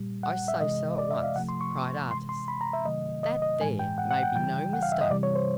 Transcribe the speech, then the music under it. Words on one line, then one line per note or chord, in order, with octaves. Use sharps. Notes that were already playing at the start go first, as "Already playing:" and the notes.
I say so at once," cried Artis, "that there may be no mistake.
Already playing: A#2 G3
F#5
E5
C3 E3 G#3 D#5
D5
E5
F5
C3 F3 A3 F#5
C6
C#6
C3 E3 G#3 C6
C6
B5
A#5
E5
C3 D#3 F#3 A3 D#5
D#5
D#5
A2 E3 G#3 G#5
G5
F#5
F#5
G5
C#3 E3 G3 G5
F#5
F5
E5
D#5
C3 E3 G3 D5
C#5
C5